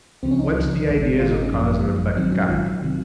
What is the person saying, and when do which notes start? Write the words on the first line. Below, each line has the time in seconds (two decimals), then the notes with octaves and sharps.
Whence the Ideas of cause and effect got.
0.23 C#2 C#3 F3 C4
0.31 C#4
0.39 D#4
0.56 C#2 C#3 F3
0.87 G#1 G#2 D#3
1.20 G#1 G#2 D#3 F4
1.31 D#4
1.42 C#4
1.52 G#1 F#2 F3 A#3
1.85 G#1 F#2 F3
2.17 A#1 G#2 D#3 F#3 C4
2.32 C#4
2.49 A#1 G#2 D#3 F#3 F4
2.82 C3 D#3 F#3